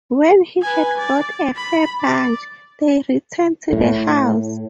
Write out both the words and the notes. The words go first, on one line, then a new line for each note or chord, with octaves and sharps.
When he had got a fair bunch, they returned to the house.
B4 G#5
D5
B5
D5
A2